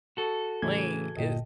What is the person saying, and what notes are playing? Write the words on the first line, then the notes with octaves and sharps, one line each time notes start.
Wait, is
F#4 A4
A2 C#3 E3 G#6
G1 A#2 D#5 G5